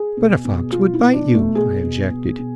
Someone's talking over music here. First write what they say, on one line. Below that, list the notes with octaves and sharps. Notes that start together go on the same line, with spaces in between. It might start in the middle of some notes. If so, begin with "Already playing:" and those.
"But a fox would bite you," I objected.
Already playing: G#4
B2
B2
B2 F4
E4
B2
D4
B2
A3
B2 G#4
B2
B2
B2